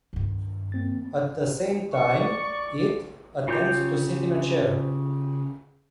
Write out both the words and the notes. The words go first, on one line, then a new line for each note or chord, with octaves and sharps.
At the same time, "it" attempts to sit in a chair.
G2 D#3
A#3 C4 A6
D5 C#6
C#3 F4 G4 C#5 G6